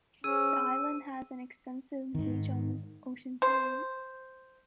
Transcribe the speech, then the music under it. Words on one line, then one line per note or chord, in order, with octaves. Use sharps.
The island has an extensive beach on its ocean side.
C#4 G#4 C5 E6 D#7
G#2 D#3
C5